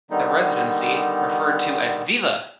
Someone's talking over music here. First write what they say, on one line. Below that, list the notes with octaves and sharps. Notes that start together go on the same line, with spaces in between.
The residency, referred to as Viva!
D3 D#3 G3 B3 D#4